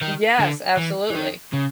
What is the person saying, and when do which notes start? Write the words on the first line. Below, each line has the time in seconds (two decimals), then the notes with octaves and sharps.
Yes, absolutely.
0.01 D#3
0.39 D3
0.77 E3
1.10 E3
1.15 D#3
1.54 C#3